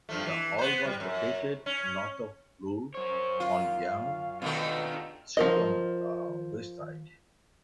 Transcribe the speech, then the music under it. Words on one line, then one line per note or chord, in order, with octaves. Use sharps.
The hall was located north of Bloor on Yonge Street on the west side.
G2 F3 A3
E3
B3 C5
G3
F#2
C#4
F#2 C5 C#5
F4 F5
B2 D#3 A3 D4 F4 G4 A4
F3 A#4 D#5